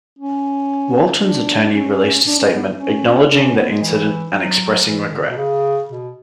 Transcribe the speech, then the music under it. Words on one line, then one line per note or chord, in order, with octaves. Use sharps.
Walton's attorney released a statement acknowledging the incident and expressing regret.
C#4
D4
C#4
D4
C#4
B3
C#4
D4
C#4
B3
G#3
E3
F#3
E3
D3
B2
C#3
B2